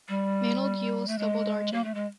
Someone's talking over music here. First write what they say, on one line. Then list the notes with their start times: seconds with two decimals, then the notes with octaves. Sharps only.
Mantled gules doubled argent.
0.09 G3
1.08 A3
1.19 G#3
1.73 A#3
1.84 A3
1.95 G#3